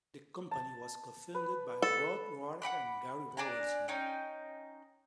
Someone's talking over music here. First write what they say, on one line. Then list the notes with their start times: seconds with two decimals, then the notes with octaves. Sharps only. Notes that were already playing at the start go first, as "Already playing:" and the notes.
The company was co-founded by Rod Roark and Gary Robertson.
0.51 A5
1.35 B4
1.82 A4
2.62 F#5 G5 B5 D6
3.37 D4 D5 G#5 A#5
3.88 C#4 D#4 G5